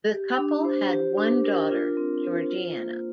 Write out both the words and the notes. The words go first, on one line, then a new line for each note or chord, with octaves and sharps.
The couple had one daughter, Georgiana.
G4
D4
C5
G4
D4
A#4
F4
C4
C5
F4
A#3